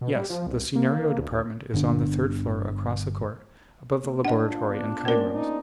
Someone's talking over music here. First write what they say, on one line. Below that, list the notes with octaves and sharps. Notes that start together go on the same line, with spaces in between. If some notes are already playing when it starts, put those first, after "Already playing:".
"Yes, the scenario department is on the third floor across the court, above the laboratory and cutting rooms."
B2
G3
F3
C2
A#3
D2
D2
G1 D3 B3 D4
A#3
D4 D#5 F#5
F4
B3 D4
A#3 C#4 A#4 C5 D5
D#4